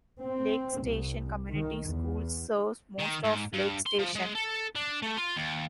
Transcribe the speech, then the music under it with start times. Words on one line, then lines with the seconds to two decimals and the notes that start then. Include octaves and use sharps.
Lake Station Community Schools serves most of Lake Station.
0.21 C4
0.81 C2
1.49 D#3
1.89 E2
2.99 D#3
3.24 G#2
3.53 G2
3.86 C6
3.99 F3
4.16 G#3
4.35 A4
4.76 D4
5.02 A3
5.17 F4
5.36 D#2